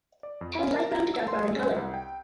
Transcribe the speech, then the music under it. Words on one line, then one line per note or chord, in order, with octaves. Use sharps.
Head light brown to dark brown in color.
D5
F2
C#4
A#4
A#5
E6
C6
G#4
C#4
C2
G5